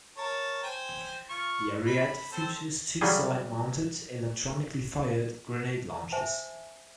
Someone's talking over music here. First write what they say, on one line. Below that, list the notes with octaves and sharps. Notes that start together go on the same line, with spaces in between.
The Ariete features two side-mounted, electronically fired grenade launchers.
A#4 C#5 A5
C5 G5 G#5
F4 C#6
B5
C4 A4 C5
C#3 F#3 G3 G#4
C5 E5 G#5 A5